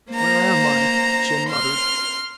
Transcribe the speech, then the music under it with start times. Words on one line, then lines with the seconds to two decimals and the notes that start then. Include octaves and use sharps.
"Where am I?" Jim muttered.
0.11 A#3 C5 A#5
1.49 C6 F6